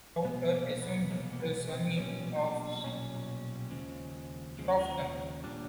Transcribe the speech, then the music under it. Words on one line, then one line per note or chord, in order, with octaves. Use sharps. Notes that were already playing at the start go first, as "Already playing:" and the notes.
Lowther assumed the surname of Crofton.
C2 B2 G#3 B3
A#3
B3
C2 B2 G#3 A#3
A#3
B3
C4
B1 A#2 G3 C#4
D#4
D4
B1 A#2 G3 C#4
D#2 C#3 F3 G#3
D#2 C#3 F3 G#3
A#2 G3 D4